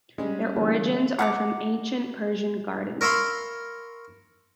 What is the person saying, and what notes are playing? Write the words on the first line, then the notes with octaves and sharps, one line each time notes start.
Their origins are from ancient Persian gardens.
G3 G#3 C#4
D3 E3 A#3 G#4
F#5 A#5 D6
A#4 C#5 E5 F5 B5 C6